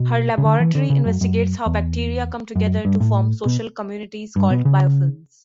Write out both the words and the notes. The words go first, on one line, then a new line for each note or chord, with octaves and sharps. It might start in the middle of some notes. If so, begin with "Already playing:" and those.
Her laboratory investigates how bacteria come together to form social communities called biofilms.
Already playing: B2
C#3
D3
E3
D3
C#3
F#2
F#2
E2
F#2
G2
A2
B2
G2
B2
C#3